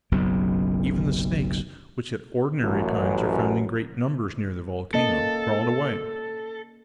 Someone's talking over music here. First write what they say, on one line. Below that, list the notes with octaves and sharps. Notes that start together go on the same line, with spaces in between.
Even the snakes, which at ordinary times are found in great numbers near the volcano, crawled away.
F#1 B1 F#2 B2
A1 F#2
A#3 C#4 A4 D#5